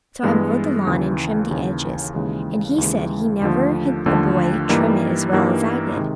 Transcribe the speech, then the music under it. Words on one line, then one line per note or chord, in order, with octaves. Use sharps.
So I mowed the lawn and trimmed the edges, and he said he never had a boy trim it as well as I did.
G2 E3 G#3 B3
D#2 C#3 E3
D#2 C#3 E3
D#2 C#3 E3 G#3
D#2 C#3 E3 G#3
D#2 D3 F3 A3
D#2 D3 F3 A3
G2 E3 G3 A#3 D#4
G2 E3 G3 A#3 D#4
C3 D#3 G#3